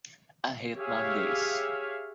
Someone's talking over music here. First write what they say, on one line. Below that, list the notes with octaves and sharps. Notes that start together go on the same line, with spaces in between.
I hate Mondays!
G4 G#4 C#5 E5 F5